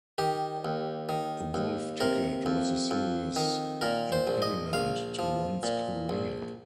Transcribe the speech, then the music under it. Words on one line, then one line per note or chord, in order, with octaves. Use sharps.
A wolf ticket was a serious impediment to one's career.
D#3 G4
D#2
D#3
D#2
C3 A#4
F2
F2
D#3
A#2 A#4
C5
A#1
D#5
A#1 F5
F3
A#2
A#1